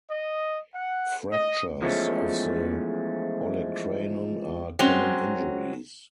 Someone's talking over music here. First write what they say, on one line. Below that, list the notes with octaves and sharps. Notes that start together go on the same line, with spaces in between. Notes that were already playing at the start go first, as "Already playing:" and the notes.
Fractures of the olecranon are common injuries.
D#5
F#5
D#5
E2 F3 G#3 A3 C#4
F#3 G#3 C4 C#4